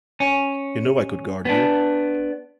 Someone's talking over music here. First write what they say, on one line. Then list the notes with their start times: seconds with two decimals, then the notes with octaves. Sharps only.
You know I could guard you.
0.20 C#4
1.45 B3 D4